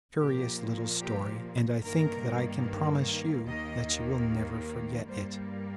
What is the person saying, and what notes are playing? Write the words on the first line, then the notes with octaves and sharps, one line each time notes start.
It is a curious little story, and I think that I can promise you that you will never forget it.
A#2 F3 A#3 G4
G4
G2 D#3 A#3 A#4
D#2 D#3 A#3 D#5
G2 G3 A#3 C5